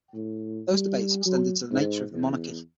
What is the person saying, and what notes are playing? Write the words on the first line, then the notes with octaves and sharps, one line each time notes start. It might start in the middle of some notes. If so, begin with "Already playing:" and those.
Those debates extended to the nature of the monarchy.
A2
G3
F#3
G#2
E2